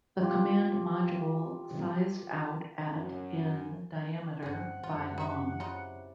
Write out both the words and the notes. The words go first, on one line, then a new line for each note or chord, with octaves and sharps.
The Command Module sized out at in diameter, by long.
F4 G4
F#2
G1 G#2 C4 C#4 G#4 F#5
F#2 C3 E3 F4
D#4 E5
C#3 D#4 F4 C5 D5 E5